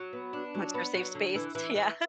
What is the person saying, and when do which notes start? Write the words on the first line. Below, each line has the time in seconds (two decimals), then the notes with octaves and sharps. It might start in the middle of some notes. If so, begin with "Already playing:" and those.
Once our safe space. Yeah.
Already playing: F#3
0.13 B3
0.33 D4
0.55 F#3
0.74 B3
0.95 F#3
1.15 D3
1.35 E3
1.55 E3
1.75 E3